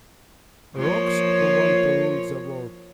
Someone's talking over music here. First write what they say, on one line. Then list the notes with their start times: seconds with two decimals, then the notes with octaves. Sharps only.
Rogues who want to rule the world.
0.76 F3 A#3 C#5